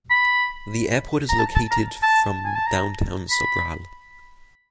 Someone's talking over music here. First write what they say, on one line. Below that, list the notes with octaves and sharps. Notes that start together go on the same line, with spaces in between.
The airport is located from downtown Sobral.
B5
A#5
A5
A5
A#5
A5
G#5
A5
A#5
B5